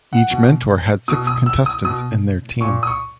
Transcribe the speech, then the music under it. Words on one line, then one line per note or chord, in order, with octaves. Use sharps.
Each mentor had six contestants in their team.
F#5
B2
B2 D#6
D#6
E6
D#6
B2 D#6
A#2 C#6
D#6
C#6